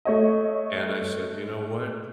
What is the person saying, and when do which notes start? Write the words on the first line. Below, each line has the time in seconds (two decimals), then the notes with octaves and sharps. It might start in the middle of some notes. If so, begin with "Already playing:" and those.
And I said, "You know what?
0.05 A3 C#5 D#5